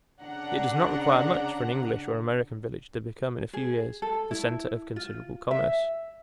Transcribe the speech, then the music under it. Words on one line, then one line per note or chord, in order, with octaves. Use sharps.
It does not require much for an English or American village to become in a few years the center of considerable commerce.
C#3 D4 F#5 A#5
G#4
A4
E4
F4
E5